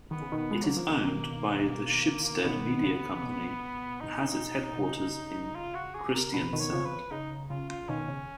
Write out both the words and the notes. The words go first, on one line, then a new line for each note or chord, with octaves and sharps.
It is owned by the Schibsted media company and has its headquarters in Kristiansand.
D#3 B3
C#3
B2 D#3
B3
G#3
F#3 A#3
F3
B2 D#3
B2 D#3 B3
C#3
B2
D#4
B2
C#3
F4
F#4
G#4
A#4
B2 B4
B2 D#3
C#5
C#3 F3
B4
C#3 D#4
C#3 F4
F4
B2 D#3 C#4
C#3